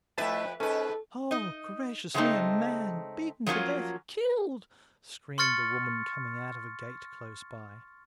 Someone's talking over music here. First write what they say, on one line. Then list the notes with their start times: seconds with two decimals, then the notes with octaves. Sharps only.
"Oh, gracious me, a man beaten to death--killed!..." screamed a woman coming out of a gate close by.
0.18 F2 A3 E4 B4 E5 A5
0.60 G#2 C#4 A4 B4
1.31 D#4 D#5
2.14 C#3 F#3 G#3 A3 C4 D#4
3.46 F3 F#3 A#3 C#4 D#4 F4
5.38 C6 C#6 F6 A6 C#7